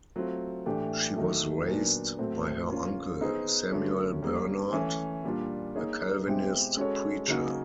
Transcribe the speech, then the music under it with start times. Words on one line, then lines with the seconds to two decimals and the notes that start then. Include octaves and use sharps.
She was raised by her uncle Samuel Bernard, a Calvinist preacher.
0.16 F#3 A3 C4 F4
0.66 A2 E3 A3 D4 G4
1.16 D#3 F#3 A3
1.68 A#2 F#3 B3 D4
2.18 A2 F#3 A3 C4
2.70 A#3 C#4 F4
3.21 B3 D#4 G#4 C5
3.71 D3 F#3 A3 C#4
4.23 G3 A#3 C#4
4.73 E3 A3 C#4
5.24 A#2 G3 A#3 D4 F4
5.75 A#3 D#4 G#4 C#5
6.26 B2 G#3 C4 E4 G4
6.77 G#3 C#4 F#4 A4 C#5
7.28 C#3 F#3 A#3 D#4 F#4